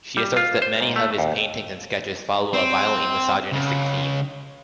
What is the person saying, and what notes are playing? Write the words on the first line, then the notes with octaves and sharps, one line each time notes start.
She asserts that many of his paintings and sketches follow a violently misogynistic theme.
G3
F4
C5
G#2
A3
D#2
C4
C#2